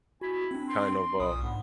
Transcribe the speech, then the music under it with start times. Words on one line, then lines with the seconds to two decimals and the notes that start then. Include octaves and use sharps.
kind of, uh,
0.21 E4 F#4 G#5 B5
0.51 C4 D4
0.69 C6
1.20 B1 F2 A#2 D#6
1.41 G#2 B3 D4